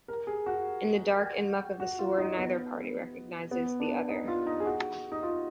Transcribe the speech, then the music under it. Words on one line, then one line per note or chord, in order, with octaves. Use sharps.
In the dark and muck of the sewer, neither party recognizes the other.
A#4
G#4
F#4
F#4
F4
D#4
B3
B3
D4
D#4
F4
D#4
G#4
F#4
D#4
F4